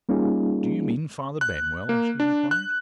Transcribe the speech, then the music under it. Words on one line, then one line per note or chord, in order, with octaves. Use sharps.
"Do you mean Father Benwell?" she inquired.
G3 A#3 C#4 D#4 F4 G#4
F#6
A#3
D4
F#6